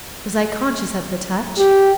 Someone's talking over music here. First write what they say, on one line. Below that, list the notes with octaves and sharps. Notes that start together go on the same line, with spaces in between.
Was I conscious of her touch?
G4